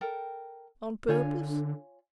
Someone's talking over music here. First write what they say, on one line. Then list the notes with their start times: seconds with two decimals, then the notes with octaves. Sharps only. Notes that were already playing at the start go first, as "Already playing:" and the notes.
On purpose.
0.01 A4 A#4 G5
1.09 D3 F4 C#5 G#5